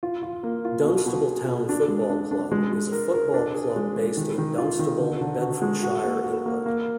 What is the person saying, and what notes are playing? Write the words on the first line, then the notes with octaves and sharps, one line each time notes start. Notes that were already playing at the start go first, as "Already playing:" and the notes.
Dunstable Town Football Club is a football club based in Dunstable, Bedfordshire, England.
F4
F4
A#3
F4
B2
B2
G#4
B2
D4
G#3
D4
D4
G#3
G#3
A#4
A#4
D4
G#4
G#3
G#3
D#3
D#3
F4
D#3
D3
D3
F#4
G#3
F#4
A#3
F#4
A#3
A#3